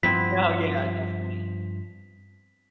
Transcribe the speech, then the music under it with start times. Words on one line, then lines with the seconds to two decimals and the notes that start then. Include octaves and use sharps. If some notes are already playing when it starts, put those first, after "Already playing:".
Oh, yeah. Definitely.
0.03 G2 F3 B3 C4 E4 B6